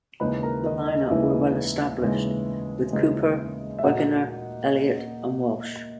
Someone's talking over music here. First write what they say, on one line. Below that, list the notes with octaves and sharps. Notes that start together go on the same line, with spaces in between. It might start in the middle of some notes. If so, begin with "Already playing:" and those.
The line-up were "well-established" with Kuepper, Wegener, Elliot, and Walsh.
D#2 C#3 E3 G#3 D#4 B4 B5
A#4 A#5
D#5
D#5
D#2 C#3 E3 G#3 D#4 E4 E5
D#2 C#3 E3 G#3 D#4
D#2 C#3 E3 G#3 D#4
E5
A#2 A#3 D#4 F#4 F#5